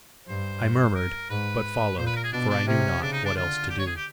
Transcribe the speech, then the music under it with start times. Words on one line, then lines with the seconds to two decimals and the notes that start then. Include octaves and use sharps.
I murmured, but followed, for I knew not what else to do.
0.27 G2 C5
0.95 A#4
1.30 G#2 B4
1.98 A#2 C5
2.06 B4
2.16 A#4
2.24 G#4
2.32 B2 D4
2.49 D4
2.67 C3 C#4
3.02 C#3 D4
3.12 D#4
3.25 D4
3.35 D3 F4
3.70 G4
3.79 C#5
3.87 G#4
3.96 G4